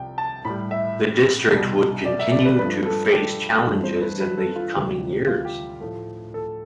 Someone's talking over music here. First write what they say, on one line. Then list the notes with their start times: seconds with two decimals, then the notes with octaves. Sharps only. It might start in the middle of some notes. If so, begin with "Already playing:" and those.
The district would continue to face challenges in the coming years.
Already playing: C2 C3 F3 G5
0.18 A5
0.45 A2 G3 B5
0.71 E5
1.52 C2 B2 G3
2.05 D5
2.19 E5
2.32 D5
2.45 B4
2.59 G2 F3 A3 B4
2.86 A4
3.04 A4
3.12 G4
3.67 G2 E3 A3
3.83 C5
4.01 B4
4.20 B4
4.38 A4
4.56 F4
4.73 D2 C3 E3 G3 G4
5.27 F4
5.45 G4
5.80 A2 F3 A3
6.34 A4